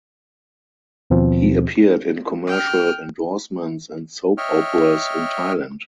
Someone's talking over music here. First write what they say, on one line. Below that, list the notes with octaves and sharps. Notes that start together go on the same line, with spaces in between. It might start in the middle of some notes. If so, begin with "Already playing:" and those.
He appeared in commercial endorsements and soap operas in Thailand.
D#2 B2 F3 C4
G5 F6
C#5 D#5 E5 G5 F6